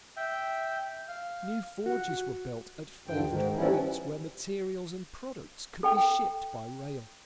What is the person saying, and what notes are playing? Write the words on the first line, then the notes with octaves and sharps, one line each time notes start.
New forges were built at favored points where materials and products could be shipped by rail.
E5 G5
F5
F#4 F#5
D2 G2 D3 G5
G#2 D#3
E3 F3 G3 B3 C#4 E4
A4 G5